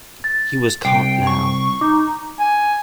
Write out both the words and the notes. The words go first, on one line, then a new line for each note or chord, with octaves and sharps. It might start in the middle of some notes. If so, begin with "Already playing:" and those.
He was caught now.
A6
C2 G5 C7
C#6
D#4 D6
G#5